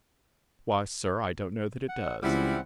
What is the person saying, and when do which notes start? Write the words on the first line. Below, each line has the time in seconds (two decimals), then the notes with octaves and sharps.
'Why, Sir, I don't know that it does.
1.89 F#5
2.23 C#2 E3 G3 C4 E4 F#5